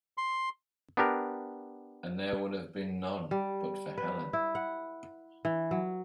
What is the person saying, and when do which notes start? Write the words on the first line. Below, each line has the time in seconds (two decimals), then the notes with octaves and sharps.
And there would have been none but for Helene.
0.18 C6
0.97 B3 D4 G4 A#4
3.31 G3
3.98 B4
4.33 E4
4.55 F#5
5.45 E3
5.71 F#3